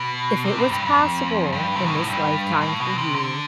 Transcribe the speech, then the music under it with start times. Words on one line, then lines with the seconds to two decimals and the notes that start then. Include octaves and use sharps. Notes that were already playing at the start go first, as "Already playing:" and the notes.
If it was possible in this lifetime for you,
Already playing: B2
0.45 C3
0.58 A2
0.71 G2
0.85 F2
1.52 G2
1.76 C3
1.86 B2
1.97 A2
2.07 G2
2.61 A2
2.80 B2
2.98 C3
3.15 D3